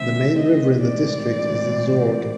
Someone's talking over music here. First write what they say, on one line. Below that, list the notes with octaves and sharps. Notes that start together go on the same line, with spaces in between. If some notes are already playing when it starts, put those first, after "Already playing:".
The main river in the district is the Zorge.
Already playing: D3 F3 A3 C4 E5
D#5
A2 E3 G#3 C4 D5